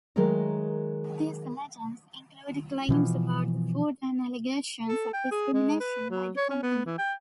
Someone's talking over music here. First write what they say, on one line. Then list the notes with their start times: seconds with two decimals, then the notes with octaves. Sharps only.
These legends include claims about the food and allegations of discrimination by the company.
0.16 D#3 F#3 G#3 A3 G#4 A#4
2.89 B2 E3 F3
4.88 A4
5.13 G5
5.31 G#4
5.53 G#3
5.80 B4
6.10 F#3
6.36 C#5
6.50 C#4
6.63 B3
6.86 E3
6.98 G5